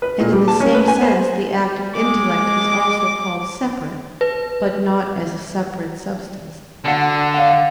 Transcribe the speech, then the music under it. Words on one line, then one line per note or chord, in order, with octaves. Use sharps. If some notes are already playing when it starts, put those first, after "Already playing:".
And in the same sense the active intellect is also called "separate"; but not as a separate substance.
B4
A#2
G3
A5
C#4
B4
G#5
C5
G#3 D6
B4
D3 D4 F#4 F#5
D5 F5 F#5